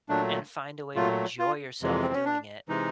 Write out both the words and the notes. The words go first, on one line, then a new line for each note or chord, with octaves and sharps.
and find a way to enjoy yourself doing it
A#2 F#3 A3 D4
A#2 F#3 A3 F4
F4
F2 C3 E3 G#3
C4
C#4
D4
C3 E3 G#3 D#4